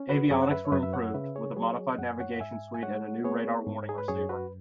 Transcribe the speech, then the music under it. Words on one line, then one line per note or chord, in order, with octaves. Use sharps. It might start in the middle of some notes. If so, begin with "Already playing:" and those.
Avionics were improved, with a modified navigation suite and a new radar-warning receiver.
Already playing: C#4
F#4 B4
F#2 G#4 C#5
F#5
B4 E5
C#5
F#2 B4 E5
E5
C#5 F#5
C#3 B4 E5
G#4 C#5
B4
F#3 G#4 C#5
F#2 F#5
G#5
C#5 F#5
G#2 E5 G#5
G#5
G#3 C#5 F#5
B3 G#4 C#5
G#2
G#4
B4
F#2 G#4 C#5
F#4 B4